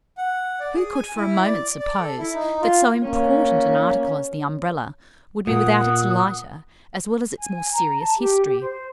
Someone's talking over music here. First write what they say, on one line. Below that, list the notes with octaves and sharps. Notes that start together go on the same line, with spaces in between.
Who could for a moment suppose that so important an article as the Umbrella would be without its lighter as well as its more serious history?
F#5
D5
G#4
G#5
E4
D5
D5
A4
E4
D#4
F4
A#3 C#4
A#2 F#5 D#6
G#5
A#5
A5
G4
G4
C5